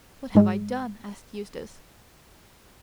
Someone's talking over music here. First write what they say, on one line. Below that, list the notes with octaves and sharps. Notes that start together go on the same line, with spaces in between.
"What have I done?" asked Eustace.
G#2 G#3